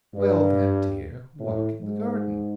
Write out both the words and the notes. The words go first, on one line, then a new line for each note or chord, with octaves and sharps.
'Well then, dear, walk in the garden.'
G2
A2
G#2